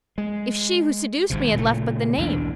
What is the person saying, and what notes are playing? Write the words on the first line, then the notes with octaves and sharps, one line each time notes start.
If she who seduced me had left but the name.
G#3
G#1 G#2 C3
A#2 C#3 F3 A3
B1 E2 G#2 D4